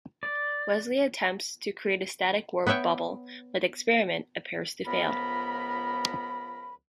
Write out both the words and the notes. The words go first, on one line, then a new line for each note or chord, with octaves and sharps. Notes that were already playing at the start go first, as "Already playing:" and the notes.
Wesley attempts to create a static warp bubble but the experiment appears to fail.
D5
B3 B4 C#5 E5 G5
C#2 F3 B3 A#4 B5